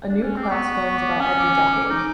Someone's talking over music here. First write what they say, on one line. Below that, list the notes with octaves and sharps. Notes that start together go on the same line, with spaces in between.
A new class forms about every decade.
D4
C#4
C4
D6
B3 C#6
C#6
C#6
D6
C#4 D#6
D6
G#5
D#6
D6
D#4 D6